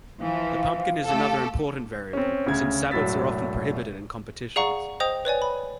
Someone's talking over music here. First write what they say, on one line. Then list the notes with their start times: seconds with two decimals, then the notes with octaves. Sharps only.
The pumpkin is another important variable since sabots are often prohibited in competitions.
0.21 E3 F3 F5
1.06 A3 G4 A4
2.13 C4 C#4
2.47 D2 C#3 G#6
2.91 E1 A2 F#3 E6 A6 B6
4.56 G#4 D5 F5 F#5 A#5 C#6
5.00 C5 D#5 G5 D#6 F7
5.25 B4 C#5 D5 G#5
5.42 B5